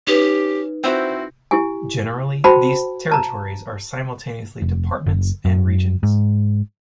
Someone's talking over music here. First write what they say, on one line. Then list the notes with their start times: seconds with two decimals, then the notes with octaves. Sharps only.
Generally, these territories are simultaneously departments and regions.
0.07 C#4 D#4 G4 B4
0.84 C4 E4 F#4 C5 E6
1.51 E4 G4 G#5
2.44 F#4 C5 G5 A5 B5
3.12 A5 A#5
4.62 F1
5.06 F#1
5.45 F#2
6.03 G#2